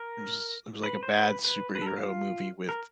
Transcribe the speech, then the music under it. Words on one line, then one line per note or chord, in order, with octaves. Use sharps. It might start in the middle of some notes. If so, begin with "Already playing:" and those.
it was it was like a bad superhero movie with,
Already playing: A#4
B4
C5
B4
B4
B4
A4
A#4
F4
A#4